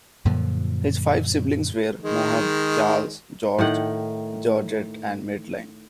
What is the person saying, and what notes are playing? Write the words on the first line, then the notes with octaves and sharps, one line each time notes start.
His five siblings were Moheb, Charles, George, Georgette and Madeline.
F#2 A#2 D3 F3
D#3 G#3
A2 D#3 F#5